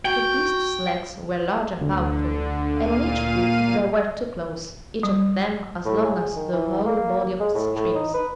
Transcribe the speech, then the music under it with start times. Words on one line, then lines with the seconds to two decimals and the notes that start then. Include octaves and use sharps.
The beast's legs were large and powerful, and on each foot there were two claws, each of them as long as the whole body of Citrinus.
0.05 F#4 G5
1.81 D2 D3
2.69 A#2 F5 D#7
5.03 G3
5.86 A2
6.04 G#4
6.36 D#3
6.53 E3
6.85 A#3
7.40 G#3
7.55 A2
7.75 A2
7.95 D#4
8.14 B4